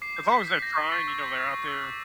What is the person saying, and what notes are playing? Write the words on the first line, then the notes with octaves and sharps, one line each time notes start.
As long as they're trying, you know, they're out there
D6 C7
G6
D6 B6
G6 C7
B6
G6 A#6
C#6
C#6 A6
E6
G6
C#6
C#6
E6
D6